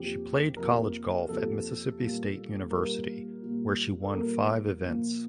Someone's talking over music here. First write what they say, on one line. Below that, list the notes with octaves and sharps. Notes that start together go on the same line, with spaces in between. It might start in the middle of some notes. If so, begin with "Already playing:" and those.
She played college golf at Mississippi State University where she won five events.
Already playing: F2 C3 F3 A#3 G4
F2 C3 F3 A#3 A#4
F2 C3 F3 A#3 A4
A#2 G3 A#3
A#2 G3 A#3 A#4
A#2 G3 A#3
A4
A#2 G3 A#3 A#4
A#2 F3 A#3